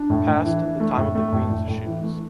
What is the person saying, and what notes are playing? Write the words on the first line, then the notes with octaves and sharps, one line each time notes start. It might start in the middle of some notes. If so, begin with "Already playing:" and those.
Past, the time of the queen's shoes.
Already playing: D4
A2
A2
E3
E3
A3
A2
A3
A2
A2
A2
E3
A3